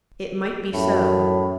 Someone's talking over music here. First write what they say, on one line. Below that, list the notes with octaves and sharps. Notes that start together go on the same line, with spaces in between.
It might be so.
F#2 A2